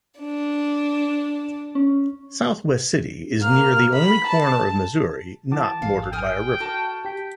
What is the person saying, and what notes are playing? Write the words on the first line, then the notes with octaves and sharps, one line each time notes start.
Southwest City is near the only corner of Missouri not bordered by a river.
D4
C#4
A#3 F6
B5
A5
E3 F#5 A5 D6
G#1 G#4 F5
G5 G#5 D#6 F6
F#4 A4 A5 F6
G4 G5 B6